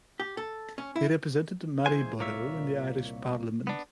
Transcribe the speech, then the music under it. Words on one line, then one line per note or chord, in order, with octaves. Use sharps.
He represented Maryborough in the Irish Parliament.
G4
A4
C#4
E4
C#2 E3 G#4 C5 G#5
C2 A#2 A#3 F4 C#5 E5
B3 D4